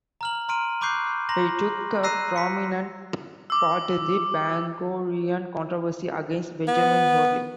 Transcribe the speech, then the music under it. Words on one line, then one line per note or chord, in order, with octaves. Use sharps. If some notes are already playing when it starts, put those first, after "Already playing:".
He took a prominent part in the Bangorian controversy against Benjamin Hoadly.
A#5 F6 F#7
A#5 C6 F6 D7 D#7
B5 C#6 D6 F#6 G6 C7
A#5 C6 A#6 F#7
A#5 E6 F#6 A#6 C7 D#7
B6 C#7
D6 E6
B3